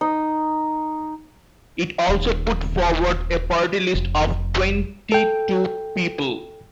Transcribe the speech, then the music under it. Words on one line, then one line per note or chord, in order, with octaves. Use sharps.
It also put forward a party list of twenty-two people.
D#4
D#1
F1
A4 G5